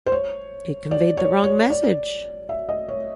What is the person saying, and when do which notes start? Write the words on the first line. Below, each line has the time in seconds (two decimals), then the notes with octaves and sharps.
It conveyed the wrong message.
0.06 C5
0.12 C#5
0.91 D5
1.17 C#5
1.44 C#5
1.70 D5
2.49 E5
2.69 D#5
2.88 C#5